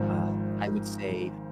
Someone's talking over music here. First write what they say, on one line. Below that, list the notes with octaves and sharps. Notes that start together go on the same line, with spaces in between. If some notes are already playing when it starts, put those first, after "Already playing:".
uh, I would say
Already playing: G#1 G#2 F3